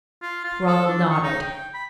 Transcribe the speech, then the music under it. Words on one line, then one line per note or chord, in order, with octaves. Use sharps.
Ronald nodded.
F4
F4
A4
D4
C#6
D#4
G5
B5